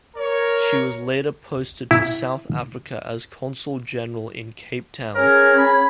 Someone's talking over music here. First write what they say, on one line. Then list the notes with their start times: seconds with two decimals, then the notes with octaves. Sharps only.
She was later posted to South Africa as Consul general in Cape Town.
0.16 A#4 C#5
1.91 E4
5.15 C#4 G#4 A#4 C#5
5.57 B5